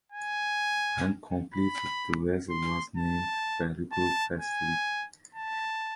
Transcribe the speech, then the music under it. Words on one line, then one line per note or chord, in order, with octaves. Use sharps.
When completed the vessel was named "Beluga Festivity".
G#5
B5
C6
A5
A5
G#5
A5